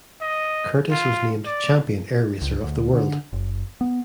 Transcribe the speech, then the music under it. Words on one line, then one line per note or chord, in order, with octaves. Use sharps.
Curtiss was named "Champion Air Racer of the World".
D#5
F4
D5
C#2
D2
D3
F#1
B3